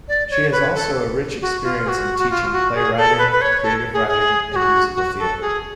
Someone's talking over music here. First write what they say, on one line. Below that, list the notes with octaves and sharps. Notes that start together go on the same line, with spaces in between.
She has also a rich experience in teaching playwriting, creative writing, and musical theatre.
D5
C#5
B4
A4
F#4
F4
G#4
F#4
F#4
F4
F#4
G#4
A4
B4
B4
C#5
A4
G#4
G#4
G#4
F#4
F#4
A4
G#4